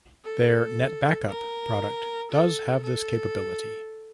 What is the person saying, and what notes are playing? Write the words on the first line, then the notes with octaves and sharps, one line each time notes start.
Their NetBackup product does have this capability.
A4
A#4
A4
A4